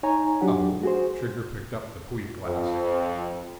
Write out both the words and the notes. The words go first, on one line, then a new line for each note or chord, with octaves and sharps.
"Oh?" Trigger picked up the Puya glass.
D#4 C#5 G#5 A#5
F#3 D4 G4 F#5
F#4 G#4 C5
F2